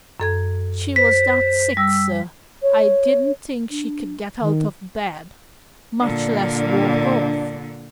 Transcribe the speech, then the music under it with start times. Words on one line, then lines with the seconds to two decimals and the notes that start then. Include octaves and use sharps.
"She was that sick, sir, I didn't think she could get out of bed, much less walk off."
0.20 F#2 A4 G#6
0.96 C5 B6
1.77 G3 E6
2.63 C#5
3.70 D4
4.41 D#3
6.01 A#2 D3 D4